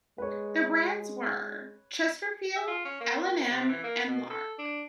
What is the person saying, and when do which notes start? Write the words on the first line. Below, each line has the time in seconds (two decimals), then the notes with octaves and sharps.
The brands were: Chesterfield, L and M, and Lark.
0.18 G#3 B4 C#5
2.56 E5
2.68 F4
2.85 C#4
3.01 A#3
3.24 A#3
3.50 C3
3.69 E3
3.84 A#3
4.08 B2
4.30 A4
4.59 D4